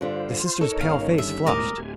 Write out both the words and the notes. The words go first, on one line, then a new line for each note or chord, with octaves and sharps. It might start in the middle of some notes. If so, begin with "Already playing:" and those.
The sister's pale face flushed.
G2 D3 G3 F4 C5
D#4 A4 A#4 C#5
G1 C#3 F5
D#3 G3 E5
E1 A2 A#4 D#5 D6
D1 G4 G#5